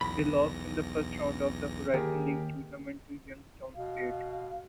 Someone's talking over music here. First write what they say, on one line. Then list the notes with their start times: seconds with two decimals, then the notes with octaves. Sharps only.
They lost in the first round of the Horizon League Tournament to Youngstown State.
0.01 B1 E2 B5 A#6
1.94 D#2 G4 G#4 A#4
3.75 B2 F5